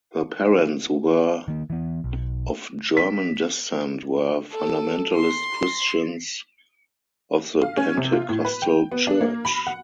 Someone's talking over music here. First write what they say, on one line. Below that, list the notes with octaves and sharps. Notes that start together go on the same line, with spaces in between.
Her parents, who were of German descent, were "fundamentalist Christians" of the Pentecostal Church.
D#3 A#3
E3 B3
B1
B6
A4
C6
F5
C#4
C3
F4
A2
B4
G5
B3
D4
A#3
B5
F#5